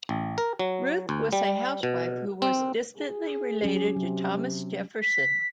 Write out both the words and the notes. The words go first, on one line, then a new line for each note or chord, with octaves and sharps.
Ruth was a housewife who was distantly related to Thomas Jefferson.
A1
A#4
F#3
D2
G3
B2
C4
G#4
F#3 C#4 G4
C3 F#3
B6